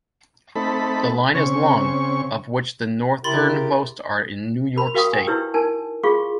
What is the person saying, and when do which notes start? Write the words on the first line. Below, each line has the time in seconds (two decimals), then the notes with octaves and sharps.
The line is long, of which the northernmost are in New York State.
0.55 A3 C4 D#4 A4 B5
1.35 C#3 C4 C#4 C#6
3.24 C#3 E4 G4 A#4 B5 C6 A6
4.76 A#4 B5 C6
4.94 F#4 A#4 F5 G5 C#6 D#6
5.13 G5 G#5
5.27 D#4 E4 G4 B4 C#5 E6
5.54 D#4 A#4 G#5 A5
6.03 F4 G#4 F5 C6 C#6